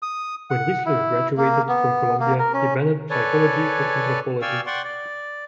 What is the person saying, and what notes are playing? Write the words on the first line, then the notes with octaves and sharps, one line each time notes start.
When Wissler graduated from Columbia he abandoned psychology for anthropology.
D#6
F#5
E4
A#3
B3
A#3
A#4
C#4
A4 B4 C#5 D5 G#5
D5 F5 G5 G#5 C#6 E6
D5 F#5 G5 C6 C#6
D5